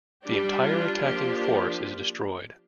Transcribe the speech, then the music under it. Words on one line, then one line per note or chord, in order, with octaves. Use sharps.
The entire attacking force is destroyed.
G3 D4 G4
F4
F3 A#3 D4 G4